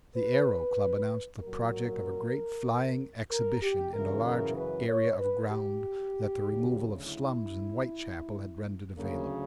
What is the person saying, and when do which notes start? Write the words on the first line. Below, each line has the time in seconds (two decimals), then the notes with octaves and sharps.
The Aero Club announced the project of a great Flying Exhibition in a large area of ground that the removal of slums in Whitechapel had rendered available.
0.16 B4
1.43 A#2 F#3 A#4
3.31 A#4
3.62 G4
3.94 F#2 C#3 E3 A#4
4.25 A#4
4.57 B4
4.88 C#5
5.19 B4
5.51 G4
6.45 D2 C#3 F#3
7.07 E4
8.96 D2 C#3 F#3 A#3